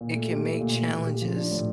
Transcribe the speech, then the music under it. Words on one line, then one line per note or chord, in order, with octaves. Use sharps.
it can make challenges
A#2
A3
G4
A3
A#2
A#2
A#2
G4
F3
D4
A2